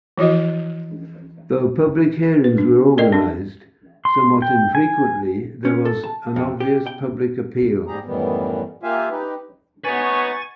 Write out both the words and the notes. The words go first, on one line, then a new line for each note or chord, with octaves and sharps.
Though public hearings were organized somewhat infrequently, there was an obvious public appeal.
E3 F3 E4 F#4 D#5
B4
D4
A4 A#4 D5 D#5 G5
C4 D4
C6
G5
G#5
C#4
A4
A5
F2
G4
G5
G#2 G3 G4 G#4 A#5
F#2 A2 D#3 E3 G3 B3
A#3 F4 G4 E5 F5 G#5
D#4 G4 B4
D#4 F#4 B4 C#5 F#5 G#5 C#6 A6